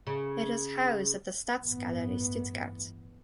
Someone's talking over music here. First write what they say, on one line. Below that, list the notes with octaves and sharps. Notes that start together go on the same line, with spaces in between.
It is housed at the Staatsgalerie Stuttgart.
C#3
A1 G2 E3 B3